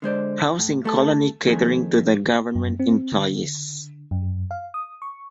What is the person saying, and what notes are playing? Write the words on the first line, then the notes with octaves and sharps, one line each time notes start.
Housing Colony catering to the government employees.
D3 G#3 C5 D5
A2
A3 A4
F2 D#3 A3 G#4
F#2
C4
D3
F#2
F5
D#6
C#6